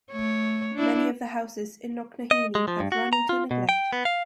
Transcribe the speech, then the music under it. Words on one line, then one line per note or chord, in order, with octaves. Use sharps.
Many of the houses in Knocknaheeny have run into neglect.
A3 C#5
D4 E4
D#5
G#3
F3
G2
F#4
A#5
F4
B2
G5
B3
F5